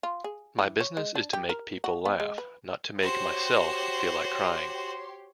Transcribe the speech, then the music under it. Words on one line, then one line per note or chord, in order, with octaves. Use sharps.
My business is to make people laugh, not to make myself feel like crying.
F4
G#4
E3
C#5
G#3
D4
G4
A#4
F#4
B3
G#3
B4
F#4 G4 C5 C#5 C6